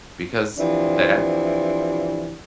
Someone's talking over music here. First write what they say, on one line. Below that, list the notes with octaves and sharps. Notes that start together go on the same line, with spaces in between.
because that
C3 E3 F3 D4